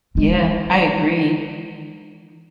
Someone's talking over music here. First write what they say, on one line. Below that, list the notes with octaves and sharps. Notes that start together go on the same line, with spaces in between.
Yeah. I agree.
E3 G#3